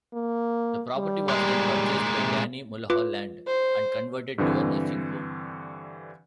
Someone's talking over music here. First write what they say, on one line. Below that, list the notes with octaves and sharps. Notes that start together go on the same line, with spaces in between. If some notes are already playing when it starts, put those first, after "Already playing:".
The property was then purchased by Danny Mullholland and converted to a Nursing Home.
A#3
G3
A#2 G#3
C3
F4 B4 D6
C5
G2 D3 E3 C4